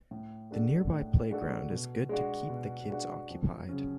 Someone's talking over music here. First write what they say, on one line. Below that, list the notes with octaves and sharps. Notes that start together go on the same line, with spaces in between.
The nearby playground is good to keep the kids occupied.
A2
G#3 D4 F#4 A4
A2
G#3 D4 F#4 A4
B2
G#3 D4 F#4
B2
G#3 D4 F#4
F2
C#3 F#3 C#4